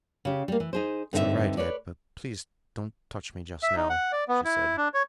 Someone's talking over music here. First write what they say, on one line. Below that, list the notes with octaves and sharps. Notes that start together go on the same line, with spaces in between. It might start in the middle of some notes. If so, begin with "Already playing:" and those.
"It's all right, Ed, but please don't touch me just now," she said.
C#3 G4
G3 A#3
E3
D#4 G#4 C5
G2 D3 C4 D#4 A4 E5
B4 C#5 D5
E5
D#4
F#5
D5
B3
E4
D4
C#5